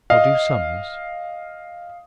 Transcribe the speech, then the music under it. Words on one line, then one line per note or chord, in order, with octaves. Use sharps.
"Nor do sums?"
D#5 F5